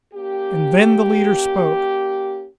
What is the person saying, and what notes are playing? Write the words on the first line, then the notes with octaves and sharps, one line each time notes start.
And then the leader spoke.
A#3 C#4 G4